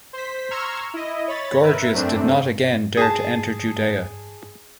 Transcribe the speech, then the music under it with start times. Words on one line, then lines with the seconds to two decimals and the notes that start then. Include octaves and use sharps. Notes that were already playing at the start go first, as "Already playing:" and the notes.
Gorgias did not again dare to enter Judea.
0.13 C5 B6
0.51 A#5 C6 C#6 E6 F6 G#6
0.94 E4 D#5
1.28 C#5 B5 A6
1.62 A#4 B4 E5
1.93 F#2 A3 C4 D4
2.97 G#4 A5